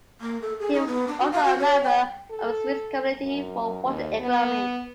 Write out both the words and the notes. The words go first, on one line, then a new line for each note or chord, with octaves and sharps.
He was also a member of the Swiss Committee for Water Economy.
A#3
A4
G#4
D#4
B3
D4
F#4
F5
F#4
C#5
G5
A4
F#2
D#2
B3